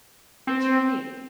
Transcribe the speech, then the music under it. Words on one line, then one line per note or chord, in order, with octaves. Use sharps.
It's unique.
C4